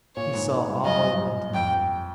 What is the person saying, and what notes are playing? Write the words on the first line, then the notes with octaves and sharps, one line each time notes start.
He saw all, and nothing.
A#2 C#5
G#2
G#2
G2
F#2 D#5
G2
F#2
F2 G5